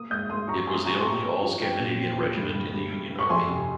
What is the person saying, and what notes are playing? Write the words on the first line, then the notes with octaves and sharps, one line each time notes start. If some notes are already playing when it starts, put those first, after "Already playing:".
It was the only all Scandinavian regiment in the Union Army.
Already playing: A#3 D#6
G#2 D#6 G6
G#2 C6 D#6
G3 A#5 C#6
G#2 G#5 C6
D#6
G3 A#5 C#6
C6
C4 A#5 C#6
C4
F3
F3 G5
A#2
C4
F3
G2
G2
G2
G2
G2
C#6
F2 G#5 C6
C3